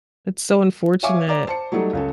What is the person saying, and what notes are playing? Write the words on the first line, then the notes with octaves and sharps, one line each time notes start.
It's so unfortunate.
C#5 E5 F5 G#5 C#6 D6
D5 A#5 D6
C5 A5 C#7
F#3 G3 A3 D#4 A4
C#2 C#4 A4